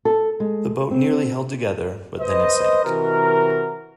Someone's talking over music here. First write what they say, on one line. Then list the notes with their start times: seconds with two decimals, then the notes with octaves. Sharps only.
The boat nearly held together, but then it sank.
0.05 A4
0.40 G#3
0.91 C4
2.20 B4 C5 D#5
2.84 C3 E3 F#4 A#4